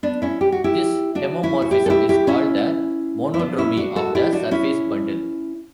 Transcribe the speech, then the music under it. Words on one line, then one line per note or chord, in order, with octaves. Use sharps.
This homeomorphism is called the monodromy of the surface bundle.
B3 D4
C#4 E4
G4
F#4
E4 G4
D4 F#4
C#4 E4
F#4
E4 G4
A4
E4 G4
E4 G4
C#4 E4
E4
B3 D4
C#4 E4
D4 F#4
F#4 A4
E4 G4
D4 F#4
C#4 E4